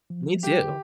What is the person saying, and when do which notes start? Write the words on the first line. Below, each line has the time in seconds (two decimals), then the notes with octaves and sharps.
Me too.
0.10 F3
0.26 F3
0.43 G3 G4
0.59 D3